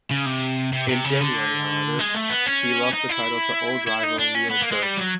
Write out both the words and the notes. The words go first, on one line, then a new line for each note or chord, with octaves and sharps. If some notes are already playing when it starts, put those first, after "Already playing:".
In January, however, he lost the title to old rival Leo Burke.
C#3
C3
C3
C3
C#3
D3
G#3
A3
B3
C#4
D#4
E4
E4
D#4
D4
C#4
B3
A#3
G#3
G3
F#3